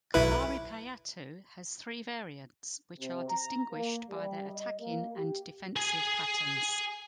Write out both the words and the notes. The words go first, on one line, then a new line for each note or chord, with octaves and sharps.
Kalaripayattu has three variants, which are distinguished by their attacking and defensive patterns.
B1 E4 B4
C3
A#5
A#3
G3
D#5
A#3
G4
G#4 G#5